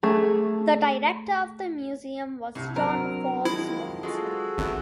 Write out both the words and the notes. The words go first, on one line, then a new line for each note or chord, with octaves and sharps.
The director of the museum was John Forbes Watson.
A3 G#4
C2 A2
F#3 C4 D4 A#4
D#3 F3 G#3 E4
G#3 F4 F#4 G#4 A4
G#1 B3 E4